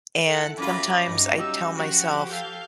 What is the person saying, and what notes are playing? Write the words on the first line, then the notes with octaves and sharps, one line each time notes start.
And sometimes I tell myself,
E4 A4 F#5
F#2 F4 B5 D6
G2 D#4
G3 G4 E6
F3 F#4 G4 F#5
A4 F5 G6